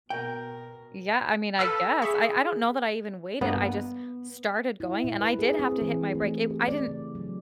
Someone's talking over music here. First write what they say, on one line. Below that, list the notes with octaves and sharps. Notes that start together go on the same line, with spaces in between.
Yeah, I mean I guess, I I don't know that I even waited I just started going, and I did have to hit my brake, it I didn't
B2 A#4 G5
A4 B4 F5 E6
G#4 E5 B5 C#6
G2 A#3 B3
E4
A#2
B4
G#4
C4
E3
A3
G4
D5
C#3
F#3